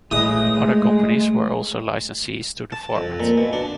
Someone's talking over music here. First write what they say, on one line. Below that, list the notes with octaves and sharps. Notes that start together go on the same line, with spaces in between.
Other companies were also licensees to the format.
G#3 A3 E4 G#4 B4 C#5 D#5 D#6
A5
F2
A#2
B2
D4